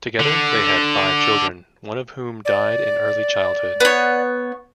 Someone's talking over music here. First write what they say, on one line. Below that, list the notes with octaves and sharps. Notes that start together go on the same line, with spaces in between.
Together, they had five children, one of whom died in early childhood.
D3
D5
B3 C#5